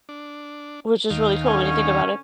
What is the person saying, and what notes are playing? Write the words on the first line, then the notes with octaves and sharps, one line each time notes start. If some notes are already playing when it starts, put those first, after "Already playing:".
Which is really cool when you think about it.
D4
D#2 D#3 F5
D3 C#4